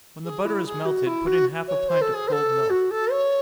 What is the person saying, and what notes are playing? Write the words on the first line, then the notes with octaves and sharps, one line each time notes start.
When the butter has melted, put in half a pint of cold milk.
G#4
E4
G#4
F#4
E4
F#4
C#5
C5
A4
G#4
C5
A4
F#4
A4
C#5